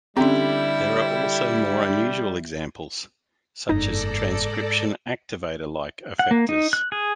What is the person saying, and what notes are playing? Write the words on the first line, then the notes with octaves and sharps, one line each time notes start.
There are also more unusual examples such as transcription activator like effectors.
D3 G3 C4 C#4 E4 G4
F#1 E2 G#2 D#4 A4 D5 A#5
F#5
A#3
D#4
F#6
G#4